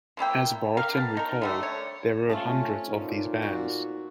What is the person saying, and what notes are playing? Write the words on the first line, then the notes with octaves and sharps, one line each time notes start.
As Barton recalled: There were hundreds of these bands.
F3 A#3 E4 G5
G4 A#4 F5
B3 A5
D#4 A#4
D3 G3 A3
C#5
A3 C4 C#4 F4 A5
A#2 D#4
F#4